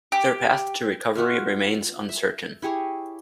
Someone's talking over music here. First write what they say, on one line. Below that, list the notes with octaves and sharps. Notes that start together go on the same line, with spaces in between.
Their path to recovery remains uncertain.
G4
F4 F#4 E5 F5
E5
E4 G4 G#4 C#5